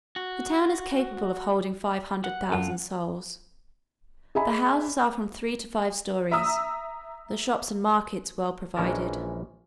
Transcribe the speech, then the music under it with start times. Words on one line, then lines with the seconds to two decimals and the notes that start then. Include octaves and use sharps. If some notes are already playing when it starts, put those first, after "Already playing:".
The town is capable of holding five hundred thousand souls: the houses are from three to five stories: the shops and markets well provided.
0.16 F#4
2.24 F#5
2.52 F#2 F4 A4
4.35 G#4 D#5 E5 G#5 B5
6.31 E5 A#5 D#6 E6
8.76 A#1 E3 G#3 C#4 A#4 A5